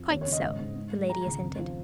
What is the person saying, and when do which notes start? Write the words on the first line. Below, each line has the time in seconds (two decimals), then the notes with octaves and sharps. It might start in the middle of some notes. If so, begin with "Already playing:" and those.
"Quite so," the lady assented.
Already playing: F2
0.10 D#2 C#5
0.21 C#5
0.27 C#3
0.32 D#5
0.43 G#2
0.60 G#2
0.76 G#2
0.92 G#3
1.09 G#3 A#5
1.26 C#2
1.42 F2
1.59 F3